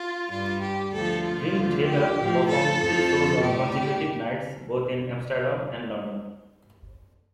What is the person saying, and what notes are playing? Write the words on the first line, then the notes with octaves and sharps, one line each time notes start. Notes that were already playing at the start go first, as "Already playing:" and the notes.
Dream Theater performed two shows on consecutive nights both in Amsterdam and London.
Already playing: F4
G2 G3 F4
G4
D2 D3 F3 A4
F4
D2 D3 F3
G4
A2 F3
A4
F2 F3
A2 G3 G4